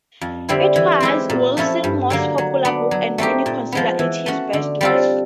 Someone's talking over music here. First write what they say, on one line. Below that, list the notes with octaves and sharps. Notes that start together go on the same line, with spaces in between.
It was Wilson's most popular book, and many consider it his best work.
F2
D3 G3 C4 E4
E3
G#3 C4 E4 G4
A#2
F3 A3 C#4 E4
G2
D3 F#3 A#3
F#3
B3 D4
F#3
A3 C4 D#4 G4
A#2
F3 G#3 B3
E3
A3 C#4 F#4
D3
G3 C4 F4 A4